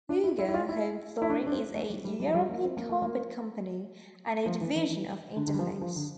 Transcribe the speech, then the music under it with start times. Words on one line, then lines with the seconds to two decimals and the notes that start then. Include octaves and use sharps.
Heuga Home Flooring is a European carpet company and a division of Interface.
0.09 D4
0.24 E4
0.39 E4
0.49 E4
0.54 F4
0.69 E4
1.22 E4
1.30 D4
1.47 D4
1.52 C4
1.75 A3
1.90 G3
2.05 G3
2.20 G3
2.27 F3
2.34 G3
2.50 A#3
2.65 C4
2.77 A#3
2.89 A3
3.02 A#3
4.46 F3
4.61 E3
4.76 E3
4.91 E3
5.36 D3
5.47 D3
5.54 G3
5.59 F3
5.70 G3
5.81 F3
5.96 D3